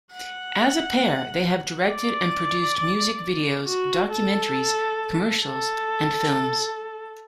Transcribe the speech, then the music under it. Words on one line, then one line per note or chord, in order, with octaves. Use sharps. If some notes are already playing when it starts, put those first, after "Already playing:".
As a pair, they have directed and produced music videos, documentaries, commercials and films.
F#5
D5
F#4
A4
A4